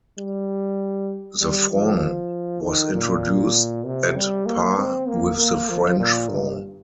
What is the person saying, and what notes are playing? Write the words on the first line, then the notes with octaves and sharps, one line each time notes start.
The franc was introduced at par with the French franc.
G3
G3
F3
D#3
A#2
C3
G3
A#3
C4
A#3
A#3
F3
A#2
G2